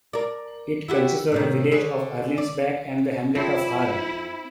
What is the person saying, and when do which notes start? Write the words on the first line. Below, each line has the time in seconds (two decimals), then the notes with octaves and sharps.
It consists of the village of Erlinsbach and the hamlet of Hard.
0.13 A#4 D5
0.88 E4 F#4 G4
1.32 A2 C3 D#3
1.72 D3 G#4 C#5
2.38 D5
3.35 F2 C4 E4 B5